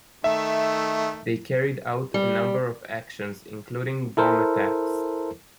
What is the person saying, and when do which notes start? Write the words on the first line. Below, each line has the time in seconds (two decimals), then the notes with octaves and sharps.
They carried out a number of actions, including bomb attacks.
0.24 D#3 A3 E5
2.14 G3
4.17 E4 A4 A#4 C5